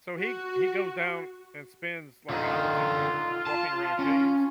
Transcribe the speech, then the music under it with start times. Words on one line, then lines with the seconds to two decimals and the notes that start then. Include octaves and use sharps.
So he he goes down and spends, like, hours and and walking around caves?
0.18 F#4
2.30 D3 D#4 F4
3.46 A5
3.99 C#4